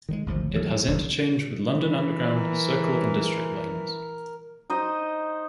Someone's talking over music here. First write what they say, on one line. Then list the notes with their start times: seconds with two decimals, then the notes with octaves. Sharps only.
It has interchange with London Underground Circle and District lines.
0.09 D#3 F#3 G#3
0.26 G#1 D2 F3
0.51 D#2 E3 F#3
0.76 A2
0.88 E1 A#1
1.69 E3
2.33 A#4
4.70 D#4 C5 D#5